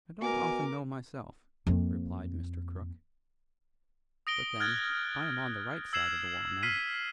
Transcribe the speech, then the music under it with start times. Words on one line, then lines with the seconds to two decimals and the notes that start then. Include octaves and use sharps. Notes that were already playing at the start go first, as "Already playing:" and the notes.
"I don't often know myself," replied Mr. Crook; "but then I am on the right side of the wall now."
0.22 B2 A#4 G#5 D6
1.67 F2 A#3
4.27 D#6 A#6 D7 G7
4.60 F6 F#6 G#6 A6 G7
5.93 E6 G#6 C7 E7 F#7
6.63 E6 F6 B6 C7 D#7